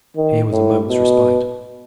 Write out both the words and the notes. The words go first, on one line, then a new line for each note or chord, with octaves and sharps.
Here was a moment's respite.
D#3
A2
B2